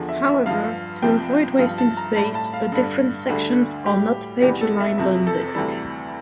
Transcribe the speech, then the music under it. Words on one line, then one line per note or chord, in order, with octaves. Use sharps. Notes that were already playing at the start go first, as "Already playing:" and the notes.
However, to avoid wasting space, the different sections are not page aligned on disk.
Already playing: E2 D3 F3
E5
E5
G2 F3 F5
C2 C3 F3 G5
G2 F3 F5
A5
A#5
A2 G3 A5
A5
F5
G2 D3 G3
D2 D3 G3
A2 G3 G4
E2 C3 E3 G3 G4
A4
E5
F2 C3 F3 E5
A4
D2 C3 E3 G3 A4